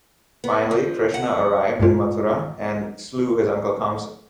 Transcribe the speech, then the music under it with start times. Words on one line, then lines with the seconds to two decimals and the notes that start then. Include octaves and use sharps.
Finally, Krishna arrived in Mathura and slew his uncle Kamsa.
0.44 B3
0.71 F3
1.14 F#5
1.80 G2 A#2 G#3 F4